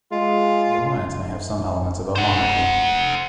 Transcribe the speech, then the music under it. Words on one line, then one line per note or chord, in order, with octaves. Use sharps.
The Alliance may have some elements of a monarchy.
G#3 F4
C5 F#5